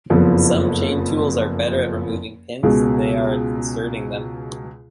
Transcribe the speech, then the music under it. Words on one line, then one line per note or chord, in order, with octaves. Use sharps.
Some chain tools are better at removing pins than they are at inserting them.
F#1 F2 F3 B3
C#2 B2 G#3